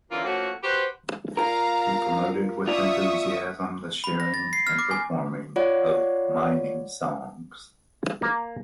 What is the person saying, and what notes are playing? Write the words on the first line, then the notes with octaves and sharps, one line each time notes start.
He promoted with enthusiasm the sharing and performing of mining songs.
A#2 D3 E3 A#3 C#4 F4
F3 A3 A#3 C#4 F#4
F#4 G4 B4 C5
F4 A#4 F5 A#5
F4 D5 E5 C#6 D#6
B5
A#6
A6
C7
F6
D6
G#5
F4 C#5 D5 F#5
A#3